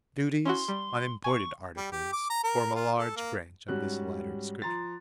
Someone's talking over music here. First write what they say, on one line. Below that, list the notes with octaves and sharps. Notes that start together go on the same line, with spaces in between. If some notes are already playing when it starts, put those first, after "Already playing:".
Duties on imported articles form a large branch of this latter description.
C#4 E4 F#4 C6
G3
G#5 C#6
G3
G4
D6
A#5
A#4
F4
A4
A#3
G#2 G3 C#4 F#4 F#6
F3 A#5 C6 A6